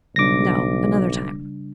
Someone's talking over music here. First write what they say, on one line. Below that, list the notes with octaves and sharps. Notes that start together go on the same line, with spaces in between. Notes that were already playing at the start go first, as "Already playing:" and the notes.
"No, another time."
B1 C#3 G3 D4 D6 A#6